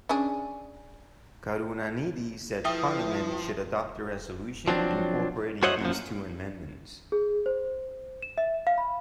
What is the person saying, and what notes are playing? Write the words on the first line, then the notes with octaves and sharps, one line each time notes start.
Karunanidhi said Parliament should adopt the resolution incorporating these two amendments.
C#4 D4 G#4
F3 E4 B4 E5 G5 D#6
F3 F#3 C4 D4
F#4 C5 C#5 D#5 E5 F#5
F#2 F3
G#4
C5
E7
E5
F5
B5